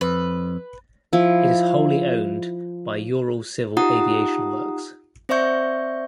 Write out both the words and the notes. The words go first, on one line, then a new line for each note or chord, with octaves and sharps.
It is wholly owned by Ural Civil Aviation Works.
F2 B4
F3 E4
D#4 F4 G4 F#5 A#5 D#6
C4 C5 D5 E5 C#6 G6